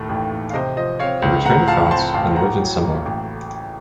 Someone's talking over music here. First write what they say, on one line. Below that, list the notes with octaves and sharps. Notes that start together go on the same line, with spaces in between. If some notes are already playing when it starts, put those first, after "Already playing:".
He returned to France, and lived at Saumur.
Already playing: D#2 A2 A3
A1
A1
F5
C3 C5 D#5
F3 C5 D#5
C4 C#5 F5
C#2
A2 F#5 A#5
F3 F5 A5
C4 A5 C6
A1 F5 A5
A2 F#5 A#5
F#3
A#3
A1